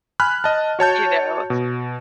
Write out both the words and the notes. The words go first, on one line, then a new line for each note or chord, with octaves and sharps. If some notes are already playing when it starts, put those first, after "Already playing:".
you know.
G#5 B5 F6 F#6
D#5 A5
F#4 C#5 A5 G6
B2